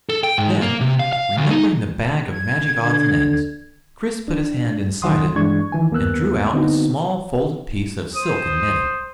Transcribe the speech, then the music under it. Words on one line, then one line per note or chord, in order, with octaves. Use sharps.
Then, remembering the bag of magic "odds and ends," Chris put his hand inside it and drew out a small folded piece of silk and netting.
A4
G5
G#2
A#3
C3
F5
F5
D2
D#4
G#6
D3
D4
C#2 D#3 F#3 F#5 C6 D#6
G2 E3 G#3 D4 C#6 G#6
D#3 E3 G#5
D#2 A#3 B3 E6 F#6
D3 B3 C4 D#4 F#4
C5 D#6